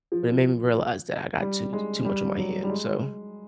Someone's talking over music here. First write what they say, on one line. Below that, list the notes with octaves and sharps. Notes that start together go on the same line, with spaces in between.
but it made me realize that I got too too much on my hand, so
F3
G3
G#3
G3
F#3
G3
G#3